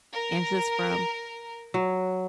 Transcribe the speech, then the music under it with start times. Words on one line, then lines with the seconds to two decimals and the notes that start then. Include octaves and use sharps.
And just from
0.13 A#4
1.74 F#3